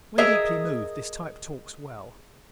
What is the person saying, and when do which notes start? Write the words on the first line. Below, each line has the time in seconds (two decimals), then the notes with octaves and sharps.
When deeply moved this type talks well.
0.18 G#4 A#4 D#5 E5